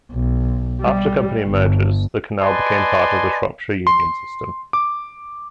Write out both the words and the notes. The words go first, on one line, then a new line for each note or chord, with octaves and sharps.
After company mergers, the canal became part of the Shropshire Union System.
B1
G3
G1
B4 D5 D#5 G#5 A5 C6
C6
D6